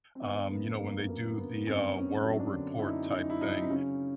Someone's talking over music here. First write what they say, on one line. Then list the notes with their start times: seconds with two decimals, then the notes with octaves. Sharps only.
um, you know, when they do the, uh, world report type thing?
0.15 C4
0.22 D3 B3
0.50 F#2 A#3
0.79 F#2 A#3
1.09 F#3 A#3
1.37 D3 B3
1.67 F#2 C4
1.96 F#2 C#4
2.25 F#3
2.39 D4
2.54 D3
2.79 E4
2.83 F#2 D#4
3.12 F#2 D#4
3.30 E4
3.41 F#3 D#4
3.62 C4
3.70 C#3 C#4